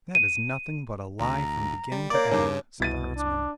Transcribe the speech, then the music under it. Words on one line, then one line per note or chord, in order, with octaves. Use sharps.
'That is nothing but a lie from beginning to end,' said the herdsman.
D#7
D2 A#5
G3
A#3 C#5 D5 D6
G2 C#3 D#4 C#5 D6
C2 B2 E4 A6 D#7
D4